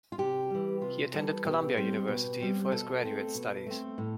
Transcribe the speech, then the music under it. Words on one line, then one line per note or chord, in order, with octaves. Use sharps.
He attended Columbia University, for his graduate studies.
F4
C3 G4
E3 G3
C3 F4
E3 G3 A4
B2 G4
G3 C4
B2
G3 C4
B2 A4
A3 C4
B2
A3 C4
A2